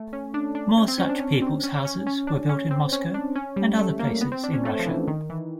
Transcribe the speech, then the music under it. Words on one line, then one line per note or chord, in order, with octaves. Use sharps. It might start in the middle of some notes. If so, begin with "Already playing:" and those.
More such People's Houses were built in Moscow and other places in Russia.
Already playing: A3
C#4
D4
D4
C#4
C4
C#4
D4
C#4
C4
C#4
C#4
C#4
D4
C#4
C4
C#4
D4
C#4
G3
A3
A#3
B3
C4
D4
C#4
A3
F3
E3
D#3
E3